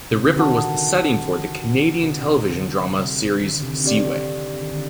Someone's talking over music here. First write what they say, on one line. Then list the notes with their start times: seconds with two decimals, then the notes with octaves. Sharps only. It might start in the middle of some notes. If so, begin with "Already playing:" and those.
The river was the setting for the Canadian television drama series Seaway.
0.11 C3
0.24 D3
0.36 D#3 F#4 A#4 F#5 A5
2.03 C3
2.11 D3
2.41 C3
2.54 D3
2.98 C3
3.40 D#3
3.51 D3
3.62 C3
3.73 D3
3.84 C4 G4 D5
4.61 D#3
4.71 D3